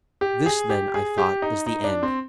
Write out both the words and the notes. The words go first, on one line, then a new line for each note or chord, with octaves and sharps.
This, then, I thought, is the end.
G4
G#4
G4
G#4
G4
D#4
D#4
D4
C4